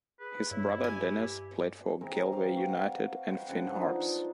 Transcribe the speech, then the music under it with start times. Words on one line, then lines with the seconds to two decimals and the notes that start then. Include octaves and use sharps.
His brother Denis played for Galway United and Finn Harps.
0.20 G#4 B4
0.51 G2 E4 C#5
0.84 G4 G#5
2.01 E3 G#3 C4 A#4
2.32 G4 F5
2.56 F#4 F5
3.28 B4 D#5 G5 C6
3.48 F#2 C#3 F3 F#5
3.75 D4 D#4 F4 C5